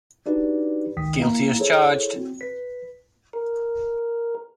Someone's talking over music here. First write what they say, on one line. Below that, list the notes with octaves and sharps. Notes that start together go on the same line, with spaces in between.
Guilty as charged.
D4 D#4 F#4 G4 B4 D5
G#1 C#2 D#3 G5 D#6 B6
A#3 E4 F5 A#5
E4 G#4 A4 C5 C#5
C4 F#4
B4 B6
A#4